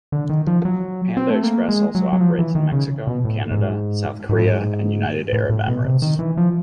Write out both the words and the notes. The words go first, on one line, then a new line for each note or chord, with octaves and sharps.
Panda Express also operates in Mexico, Canada, South Korea, and United Arab Emirates.
D3
D#3
F3
F#3
C4
A3
A#3
G#3
F#3
F#3
F3
E3
D#3
C#3
B2
A2
G#2
G#2
A2
G#2
A2
A2
B2
C3
D#3
E3
F3